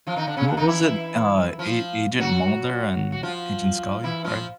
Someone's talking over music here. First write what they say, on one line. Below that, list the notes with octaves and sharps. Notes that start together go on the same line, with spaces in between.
What was it, uh, A Agent Mulder and Agent Scully, right?
F3 F4
D#3 D#4
D3 D4
C#3 C#4
D3 D4
D#3 D#4
E3 E4
F3 F4
F#3 F#4
F#4
F3 F4
E3 E4
F3 F4